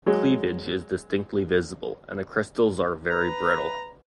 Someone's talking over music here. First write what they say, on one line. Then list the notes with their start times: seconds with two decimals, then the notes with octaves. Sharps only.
Cleavage is distinctly visible, and the crystals are very brittle.
0.06 F#3 G#3
3.10 B4 A#5